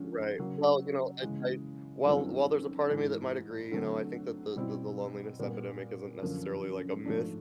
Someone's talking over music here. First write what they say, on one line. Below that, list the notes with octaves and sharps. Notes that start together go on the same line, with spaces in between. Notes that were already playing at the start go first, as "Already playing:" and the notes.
Right. Well, you know, I I while while there's a part of me that might agree, you know, I think that the the the loneliness epidemic isn't necessarily, like, a myth.
Already playing: D3 F3 G#3 C#4
C#3 F#3 A#3
C#3 E3 G#3
F#2 D#3 G3 C4 F4
G#2 E3 G#3
D3 F#3 A3 C4
B2 G3 C4 E4
A#2 G3 B3
F#2 D3 F3 A#3
G#2 F3 A3 D4